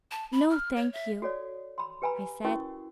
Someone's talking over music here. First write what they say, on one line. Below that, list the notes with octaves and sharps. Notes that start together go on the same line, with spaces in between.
"No, thank you," I said.
A5
B5
F6
C#5
E5
F#4 A4 C#5 D5
B5 C6
G4 B4 G#5 A#5 B5
C#4 E4 F#4 A#4 C#6 D#6